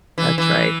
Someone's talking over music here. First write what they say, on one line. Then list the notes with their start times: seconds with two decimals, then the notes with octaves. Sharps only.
That's right.
0.18 E3
0.38 E3